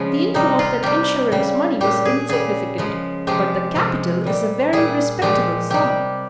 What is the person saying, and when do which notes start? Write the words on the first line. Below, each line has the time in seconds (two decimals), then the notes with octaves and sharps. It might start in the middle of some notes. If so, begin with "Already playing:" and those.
The income of that insurance money was insignificant, but the capital is a very respectable sum.
Already playing: C#3 F3 G#3 C#4
0.34 C3 G3 D#4
0.59 F4
0.83 C3 G3 G4
1.32 C#3 G3
1.81 A#2 G3 G4
2.05 G#4
2.29 C#3 G3 G#4
2.78 C#3 F3 G#3
3.27 C3 F3 G#3 G4
3.75 C3 F3 G#3
4.24 A#2 G3
4.73 A#2 G3 G#4
5.22 A#2 F3 G#3 G4
5.70 C3 G3 G4